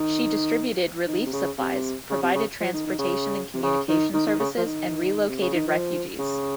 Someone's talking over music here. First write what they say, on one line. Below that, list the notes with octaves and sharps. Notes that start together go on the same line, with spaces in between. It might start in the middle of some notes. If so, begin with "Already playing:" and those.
She distributed relief supplies, provided transportation and communication services and relocated refugees.
Already playing: D#3
D#3
C3
C#3
C3
C#3
C3
C#3
F3
D#3
D#3
C#3
C3
C#3
D#3
D#3
D#3
C#3
F3
D#3
C3
C#3
D#3
F3
C#3